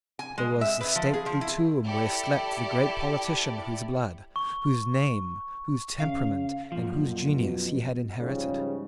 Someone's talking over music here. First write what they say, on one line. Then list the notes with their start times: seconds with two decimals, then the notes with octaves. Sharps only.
There was the stately tomb where slept the great politician whose blood, whose name, whose temperament, and whose genius he had inherited.
0.19 G#5
0.38 G#3
0.61 E5
0.81 B4
0.96 F3
1.14 G#4
1.26 F3
1.41 E4
1.86 E4 G4 A4 D5
4.36 C#6
6.00 C#3 F5
6.72 F#2 A#2 F3
7.38 B2
8.20 G#2 C#3 F3 G3